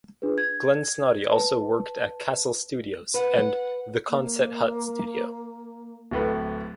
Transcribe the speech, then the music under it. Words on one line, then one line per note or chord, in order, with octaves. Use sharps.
Glenn Snoddy also worked at Castle Studios and The Quonset Hut Studio.
D4 F4 G#4 B4
G#6
B4 A5
B4 F#5
A#3
D1 A2 B4